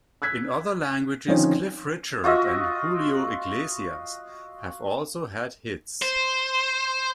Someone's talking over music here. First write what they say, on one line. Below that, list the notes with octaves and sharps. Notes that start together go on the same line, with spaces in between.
In other languages, Cliff Richard and Julio Iglesias have also had hits.
E6 F#6 G#6 B6
D3 D#3 F3 C4 C#4 D#4
F4 F#4 D#5 E5
C5